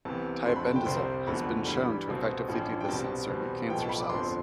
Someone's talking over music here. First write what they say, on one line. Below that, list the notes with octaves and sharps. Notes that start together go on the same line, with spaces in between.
Tiabendazole has been shown to effectively do this in certain cancer cells.
C2 C3 E3 B3 A5
F2 D3 F3 A3 C6
B5
A5
G5
C2 C3 G3 C4 C6
E1 E2 D3 F3 A3 B5
G2 E3 G3 B5
C2 B2 A3 C4
A1 G2 F3
G5
C2 B2 G3 C4 A5
E2 B2 G3 C4
B1 A2 F3 B3 G5
A5
B5
D6
G1 F2 D3 F3 C6